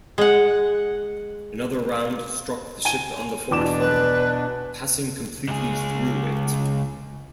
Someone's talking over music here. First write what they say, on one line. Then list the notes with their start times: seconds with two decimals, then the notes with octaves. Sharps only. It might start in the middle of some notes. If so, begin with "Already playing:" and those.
Another round struck the ship on the forward funnel, passing completely through it.
0.18 G#3 F#5
2.85 G#5 D#7 G7
3.51 E2 B2 D4 D6 E7
3.79 B4
5.48 C#2 G#4